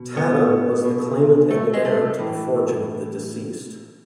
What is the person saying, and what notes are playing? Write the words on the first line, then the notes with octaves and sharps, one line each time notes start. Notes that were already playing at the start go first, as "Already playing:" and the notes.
Tatham was the claimant and heir to the fortune of the deceased.
Already playing: B2
B3
B2
A3
G#3
A3
A2 E3